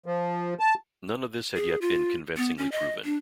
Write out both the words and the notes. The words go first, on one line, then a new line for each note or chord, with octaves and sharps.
None of this had yet been convincingly proven.
F3
A5
G#4
F4
B3
C#4
D#5
D4